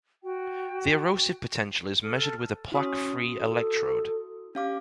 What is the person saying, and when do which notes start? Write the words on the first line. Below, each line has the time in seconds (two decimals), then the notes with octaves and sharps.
The erosive potential is measured with a plaque-free electrode.
0.22 F#4 G5
2.02 A4 A5 F6
2.72 C#4 E4 F#4 D#6
3.38 A4
4.55 C#4 G4 F5 D6